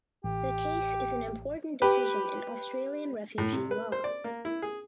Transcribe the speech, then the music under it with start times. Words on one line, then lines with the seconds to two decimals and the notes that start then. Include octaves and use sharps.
The case is an important decision in Australian refugee law.
0.24 A1 G4
1.82 G4 B4
3.38 A2
3.52 C3
3.71 B4
3.92 C5
4.04 D5
4.24 A#3
4.45 E4
4.62 G#4